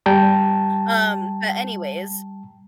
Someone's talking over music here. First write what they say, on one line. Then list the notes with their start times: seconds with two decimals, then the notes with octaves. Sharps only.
um, but, anyways
0.06 G3 G5 A5 A#5